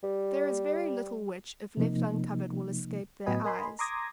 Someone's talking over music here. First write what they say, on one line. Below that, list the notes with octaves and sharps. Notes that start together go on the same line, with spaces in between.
There is very little which, if left uncovered, will escape their eyes.
G3
C3 F3 A#3 D#4
A2 F#3 B3 B4 D#5 G#5
A#4 D#5 G#5 B5 C6
A#5 C6 D6 D#6 G#6 A#6